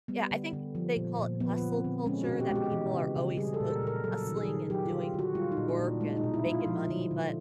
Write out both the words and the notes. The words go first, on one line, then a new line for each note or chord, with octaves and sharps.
yeah, I think they call it "hustle culture" that people are always supposed to be hustling, and doing work, and making money, but
G3 B3
D3
D3
F3
A#2
A#2
F3 B3
D3
C4
D3
G#3 C#4
F#4
B2
G4
G#3 G4
E3
C#3
C#3
G3 G#4
A4
A#2
A#4
A#2 A#4
F#3 A4
D#3
G#4
D#3
F#3 G4
F4
D3
D3 F#4
G3 F4
D#4
A#2
D4
A#2
D4
G#3 D#4
D#4
B2
E4
G#3 F4
F3
D3
D3